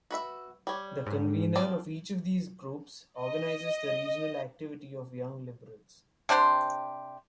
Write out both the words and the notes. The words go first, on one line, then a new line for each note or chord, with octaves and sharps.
The Convenor of each of these groups organises the regional activity of Young Liberals.
F#4 B4 E5
G3 C#5
G#2
F3 C4 D5
D#5
C3 D4 G4 C5